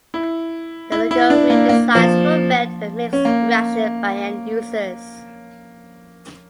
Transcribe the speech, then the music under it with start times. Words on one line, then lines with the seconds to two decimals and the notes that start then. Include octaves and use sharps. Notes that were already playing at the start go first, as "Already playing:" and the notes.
The logo redesigns were met with mixed reactions by end users.
0.14 E4
0.92 E4
1.11 E4
1.30 D4
1.50 A#3
1.69 A#3
1.95 F3
3.13 C#4
3.25 A#3